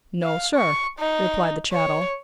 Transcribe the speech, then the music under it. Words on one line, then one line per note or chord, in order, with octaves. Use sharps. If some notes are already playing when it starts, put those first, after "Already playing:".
"No, sir," replied the chattel.
F5
C#6
D#4
C#5